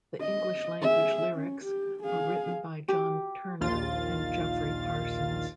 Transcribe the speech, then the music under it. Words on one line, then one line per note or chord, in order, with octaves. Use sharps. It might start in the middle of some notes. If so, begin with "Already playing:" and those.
The English language lyrics were written by John Turner and Geoffrey Parsons.
D#5
G#4 E5
C#4
G4
G#4 F5
G4
A#1 D#2 F4 A6